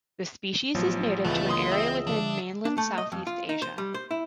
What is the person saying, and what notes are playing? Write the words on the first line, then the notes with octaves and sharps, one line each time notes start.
The species is native to an area within Mainland Southeast Asia.
A1 F3 F#3 B3
C#2 E3 A3 B3
D3 A#3 C6 D#6
C4 E5 E6
D3 F3 D4
D4
A3
D#5
F2
F4
D#4
C5
G3
C5
E4